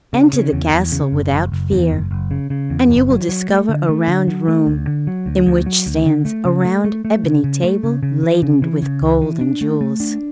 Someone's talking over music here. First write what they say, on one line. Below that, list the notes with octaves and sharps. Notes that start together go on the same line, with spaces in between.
Enter the castle without fear, and you will discover a round room in which stands a round ebony table laden with gold and jewels.
C#3
C#3
E2
E2
C#3
F#1
F#1
F#1
E2
F#1
F#1
C#3
C#3
E2
F#1
F#3
F#3
A3
D3
A3
D3
F#3
A3
D2
D3
F#3
D2
D2
F#3
D2
D3
A3
C#3
A3
A3
A3
C#3
C#3
A3
C#3
C#3
E3
C#3
E3
C#3
C#2
E3
D4
A3
A3
D4